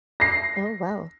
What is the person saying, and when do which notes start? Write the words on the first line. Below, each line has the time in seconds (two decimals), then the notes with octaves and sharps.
Oh, wow.
0.20 A#6 C7